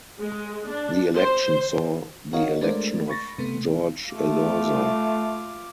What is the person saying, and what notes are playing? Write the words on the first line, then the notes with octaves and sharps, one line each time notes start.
The election saw the election of Jorge Elorza.
G#3
D4
C5
F#4 A#4 C#5 D#5 F5
G#3 A3 D4 A#4 C5 D5
B5 C#6 A6 A#6
C3 A3 B3
A3 F4 D6